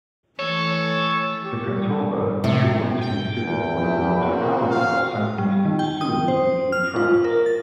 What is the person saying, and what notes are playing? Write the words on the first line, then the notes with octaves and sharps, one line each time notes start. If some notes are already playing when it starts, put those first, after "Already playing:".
The Catawba were once considered one of the most powerful Southeastern Siouan-speaking tribes.
E3 A3 A4 C#5
G4
G3
A2 C3
G5
E2
E4
A#2 C4 F#4
F5
G3
D#3
G5
D#6
C5
F6
F4
A#4
A6